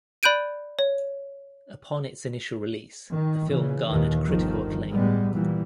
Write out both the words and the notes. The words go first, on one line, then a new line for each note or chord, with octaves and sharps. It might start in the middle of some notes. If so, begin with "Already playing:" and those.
Upon its initial release, the film garnered critical acclaim.
D5 B5 F#6 G6 D7 D#7
C#5
D#3
C#3 E3
D#2 A#2 D#3 E3
G1 D#3 F3
A2 G3 G#3 B3
A#2 E3 G3